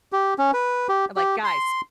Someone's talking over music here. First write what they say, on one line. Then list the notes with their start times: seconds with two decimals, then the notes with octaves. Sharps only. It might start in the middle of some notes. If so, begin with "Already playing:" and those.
I'm like, "Guys,
0.13 G4
0.38 C#4
0.53 B4
0.89 G4
1.16 G4
1.44 C6